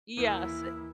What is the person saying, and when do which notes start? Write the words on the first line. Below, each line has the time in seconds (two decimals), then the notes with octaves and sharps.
Yes, uh
0.17 D#2 E3 A#3 E4 D#6 G6